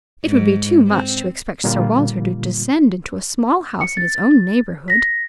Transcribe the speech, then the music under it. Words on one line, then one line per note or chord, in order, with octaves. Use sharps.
It would be too much to expect Sir Walter to descend into a small house in his own neighbourhood.
G#2
C4
A#2 D3 G3 A#3 F4
C#7
A6
A#6 B6